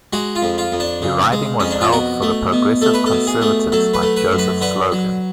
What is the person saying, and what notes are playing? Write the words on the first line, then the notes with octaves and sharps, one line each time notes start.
The riding was held for the Progressive Conservatives by Joseph Slogan.
G#3 F#4
F4
F2
F4
F2
D4
C#3
G#3
F2 C#4
D4
F4
B2 F#4
A3
B2
A3 A4
B4
A4
B2
G#4
A3
F#3 A4
B4
A3
B4
F#2
B4
D3 B4
F#3